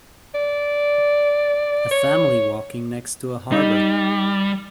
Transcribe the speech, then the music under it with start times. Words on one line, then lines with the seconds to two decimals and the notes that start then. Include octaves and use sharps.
A family walking next to a harbor.
0.35 D5
1.91 C#5
3.52 G3 D#4